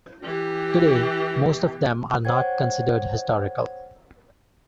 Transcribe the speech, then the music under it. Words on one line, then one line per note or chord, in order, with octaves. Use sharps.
Today, most of them are not considered historical.
E3 G4
C5 C#5 F#5 G5 G#6